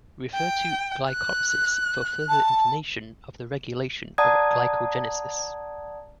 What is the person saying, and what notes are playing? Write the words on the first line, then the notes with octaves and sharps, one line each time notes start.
Refer to glycolysis for further information of the regulation of glycogenesis.
G5
F#6
A5
D5 F#5 A5 A#5 D#6 G#6